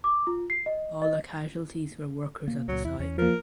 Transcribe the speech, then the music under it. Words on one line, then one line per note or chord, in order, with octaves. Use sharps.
All the casualties were workers at the site.
D6
F4
C7
D#5
D#5
B2 A#3
C#2 A#2 F#3
E2 E4
E2 C#4
F3 A#3 A#4